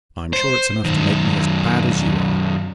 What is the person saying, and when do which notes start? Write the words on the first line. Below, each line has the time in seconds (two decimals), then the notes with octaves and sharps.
I'm sure it's enough to make me as bad as you are.
0.33 C5
0.85 F#2 D#3